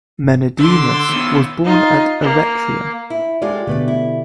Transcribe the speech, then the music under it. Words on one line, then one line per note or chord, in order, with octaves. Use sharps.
Menedemus was born at Eretria.
D3 C6 D6 E6
D#3 B3
D#4 F4
A#3
E4
G#3 F4 G4 A4 D5
B2 D3 A3 B4 D5
E4